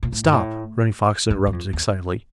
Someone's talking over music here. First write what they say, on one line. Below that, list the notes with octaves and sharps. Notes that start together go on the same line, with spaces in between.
"Stop!" Running Fox interrupted, excitedly.
A#2
A2
G2
A2
G2
G2
F2
E2